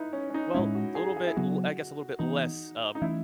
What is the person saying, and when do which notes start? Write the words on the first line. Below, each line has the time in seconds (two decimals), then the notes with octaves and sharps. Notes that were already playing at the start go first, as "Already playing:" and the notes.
well, a little bit l I guess a little bit less, uh,
Already playing: D#4 E4 B4
0.13 C#4
0.30 C#4
0.34 D#4
0.54 A2 G#3 C#4 E4
0.75 F#4
0.95 G#4
1.17 G#4
1.27 E4
1.36 C#3 F#3 B3 F#4
2.19 E3 B3 D#4
2.95 D#4
3.02 E3 A3 C#4 E4